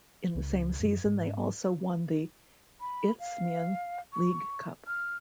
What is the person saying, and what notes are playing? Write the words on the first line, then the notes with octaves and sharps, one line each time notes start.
In the same season they also won the Isthmian League Cup.
C#2
F#2
G#2
B5
F5
C#6
F6